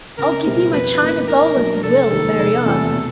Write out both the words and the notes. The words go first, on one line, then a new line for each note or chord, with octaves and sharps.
"I'll give you my china doll if you will, Marianne."
C#2 A#4
B2 G3 C4 E4
F2 B4
C#3 F3 A#3 D#4
B2 A#4
F#3 A#3 D4
F1 A4
D#2 D#3
F1
E2 C3 F3 A3
B2